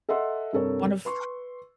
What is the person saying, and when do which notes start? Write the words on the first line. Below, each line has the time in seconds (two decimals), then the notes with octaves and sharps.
One of
0.09 A4 D#5 E5 F#5 C6 E6
0.53 G2 C3 A4 A#4 C#5
1.05 B4 C6 C#6